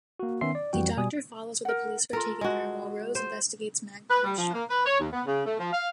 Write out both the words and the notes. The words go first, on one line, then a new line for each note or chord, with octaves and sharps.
The Doctor follows where the police are taking her while Rose investigates Magpie's shop.
A#3 F#4
D#3 B3 C#4 E5 C6 C7
D5
F2 E3 G3 F#4 G5
B2 G3 G#5 D#6
A#4 F#5
F4 A4 A#4
G#3 F#4
C5
B4
G3
F3
A#3
B4
C#5
D#2
B3
C#3
A3
F3
F5